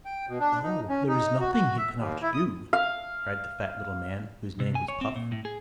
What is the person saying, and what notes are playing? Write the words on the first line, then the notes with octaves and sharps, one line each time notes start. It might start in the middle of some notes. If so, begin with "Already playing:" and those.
"Oh! there is nothing he cannot do," cried the fat little man whose name was Puff.
G5
B2
D4
D#4
C#4
D#4
F#4
F#4
E5
D#2
E4
D#6
F5
C3
G#5
C#5
C4
A#2
A2
G#4